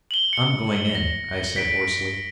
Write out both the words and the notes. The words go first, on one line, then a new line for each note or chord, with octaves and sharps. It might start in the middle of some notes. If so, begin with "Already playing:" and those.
"I'm going in," I said hoarsely.
F#7 G7
C#7 G7
A#6
B6 D7